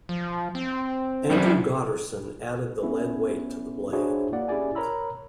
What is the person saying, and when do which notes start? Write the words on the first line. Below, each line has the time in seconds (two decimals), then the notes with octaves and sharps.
Andrew Gotterson added the lead weight to the blade.
0.09 F3
0.55 C4
1.31 F#2 G3
2.83 B3 C#4 E4
3.93 D4 E4 F#4 G#4 C5 C#5
4.32 A#3 E4 D5 F#5
4.48 C#4 E4 G4 G#4 D5 G#5
4.75 A#4 C#5 A#5 B5 E6